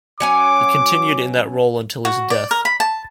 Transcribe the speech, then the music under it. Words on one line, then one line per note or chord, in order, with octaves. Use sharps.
He continued in that role until his death.
F#3 C#4 G#5 D6
F#4
D5
A#4
B5
A5